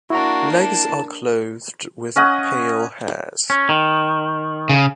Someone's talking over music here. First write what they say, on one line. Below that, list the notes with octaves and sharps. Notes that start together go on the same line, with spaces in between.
Legs are clothed with pale hairs.
A#3 D4 E4 F#4 A#5
A5
C#4 D#5 F#5 D#6
C#4
D#3
C#3